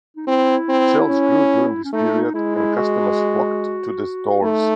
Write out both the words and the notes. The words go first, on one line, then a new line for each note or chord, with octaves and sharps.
Sales grew during this period and customers flocked to the stores.
D#4
C4 E4
C4
C#4
C#4
A3 D#4
D#4
G#3 E4
E4
F#4
A3 D#4